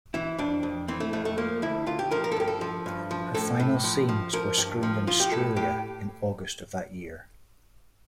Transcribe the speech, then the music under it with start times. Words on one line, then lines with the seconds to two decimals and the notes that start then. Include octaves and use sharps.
Her final scenes were screened in Australia in August of that year.
0.14 E3 E4
0.38 F2 D4
0.63 F2
0.88 E3 C4
1.00 A3
1.13 F2 A3
1.25 A3
1.38 F3 A#3
1.62 D2 E4
1.87 D2 F4
1.99 G4
2.11 F3 A#4
2.24 A#4
2.32 A4
2.36 G2 G4
2.48 A4
2.61 F3
2.86 G2
3.11 F3
3.35 A2 A4
3.60 A2
3.84 F3
4.09 F3
4.33 F3 A#4
4.58 G2
4.83 F3
5.07 F3 F4
5.20 G4
5.32 A2 A4
5.56 A2 G4